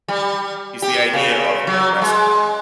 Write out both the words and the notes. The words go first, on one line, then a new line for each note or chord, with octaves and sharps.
is the idea of a rest hour.
G3
G4
C#3
F#3
G#3